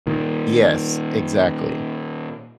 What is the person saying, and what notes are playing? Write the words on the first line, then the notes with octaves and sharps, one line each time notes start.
Yes, exactly.
A#2 D#3